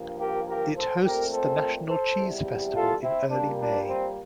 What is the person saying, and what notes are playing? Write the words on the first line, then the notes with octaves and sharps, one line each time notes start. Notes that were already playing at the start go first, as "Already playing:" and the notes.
It hosts the national cheese festival in early May.
Already playing: G2 F3 A#3
G4 A#4
G4 A#4
A4 C5
A#2 A3 C4 G4 A#4
A4 C5
A4 C5
E2 C3 G3
F4 A4
C4 E4
A#2 G3 A#3 D4
D4
C4